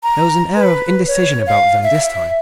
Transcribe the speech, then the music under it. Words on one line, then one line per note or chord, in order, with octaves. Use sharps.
There was an air of indecision about them this time.
A#5
B4
C#5
F5
E5